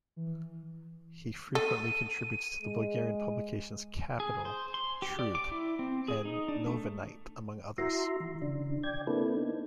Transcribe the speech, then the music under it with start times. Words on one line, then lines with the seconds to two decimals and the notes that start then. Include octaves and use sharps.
He frequently contributes to the Bulgarian publications "Capital", "Trud" and "Novinite", among others.
0.16 E3
1.55 A4 D#7
2.62 G#3
4.20 G#4
4.45 C5
4.74 C6
5.02 G4
5.19 D5
5.35 D6
5.51 E4
5.79 C4
6.08 G#4
6.25 D#4
6.48 D4
6.66 A3
7.78 E4 F#4 E5 A#5 C6
8.20 E3
8.42 C#3 D4
8.84 D5 G5 G#6
9.07 A#3 C4 D4 E4 A4 B4
9.37 A#3 B3 D#4